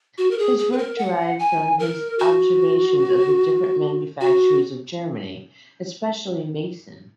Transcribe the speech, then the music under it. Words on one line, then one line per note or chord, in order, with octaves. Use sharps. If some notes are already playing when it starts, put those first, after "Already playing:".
This work derived from his observations of the different manufacturies of Germany, especially Meissen.
F#4
A#4
G#4
G#4
B4
A#4
F#5
G#5
A#4
F#4
F#4